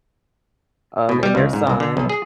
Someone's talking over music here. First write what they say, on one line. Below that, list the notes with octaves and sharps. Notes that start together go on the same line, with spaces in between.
um, and their son,
B2
G3
C#2
G#2
C2
D3
B1
G#4